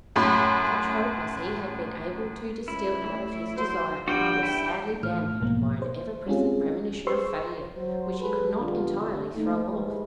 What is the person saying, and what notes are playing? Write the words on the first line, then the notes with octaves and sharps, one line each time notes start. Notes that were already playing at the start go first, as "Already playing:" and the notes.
Such hope as he had been able to distil out of his desire was sadly dampened by an ever-present premonition of failure, which he could not entirely throw off.
F#2 A2 B5 C6
C#2 E4
A2
F#3 C5
G2 F3 G3 F#4 G5
E4
A2 E3 A3 F6
B1 G#2 B2 F3 A#3
C5
G3 G#3 C4 C#4 F4 G#4
G#4 B4 C5 C6 C#6 E6
F#3 C5
G#3 G#4 A4 B4
F2 D3 G3 B3 D4 F4
C3 E3 A3 E4
A3 A#3 D#4
D#2 G3 G#3 E4 B4 C5